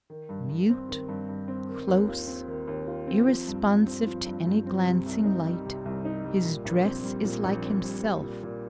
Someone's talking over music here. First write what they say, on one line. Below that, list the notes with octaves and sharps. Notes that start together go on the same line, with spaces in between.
Mute, close, irresponsive to any glancing light, his dress is like himself.
D#3
G2
G2
C4
D#3
G2
G2
C4
D#3
D#2
F4
C4
D#3
D#2
F4
C4
F3
G2
G2
C4
F3
G2
G2
C4
C3
C2
D#4
G3
C3
C2
D#4
G3
A#2
A#1
C4
G3
A#2
A#1
C4
G3
G3
A#2
A#2